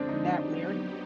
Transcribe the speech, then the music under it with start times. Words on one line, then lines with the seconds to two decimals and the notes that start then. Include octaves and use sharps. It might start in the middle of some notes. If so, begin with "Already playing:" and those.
Isn't that weird?
Already playing: D3 F3 G#3 C4 D4
0.09 D#4
0.25 F#3 B3 D4 D#4 G4